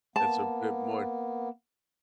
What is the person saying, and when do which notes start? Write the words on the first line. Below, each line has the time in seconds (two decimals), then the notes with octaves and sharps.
that's a bit much,
0.16 A#3 B3 A5